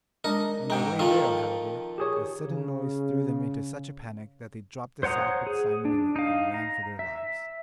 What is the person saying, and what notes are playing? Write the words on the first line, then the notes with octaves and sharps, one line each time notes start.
On their way there, however, a sudden noise threw them into such a panic that they dropped the sack with Simon in it and ran for their lives.
G#3 D4 D#4 A#4
G#2 G#3 G5 A#5
F2 D#3 F3
G4 G#4 C#5
C#3
C5 C#5 F#5 A#5 D#6
G#4
D4
D#4 F5
A#5
E5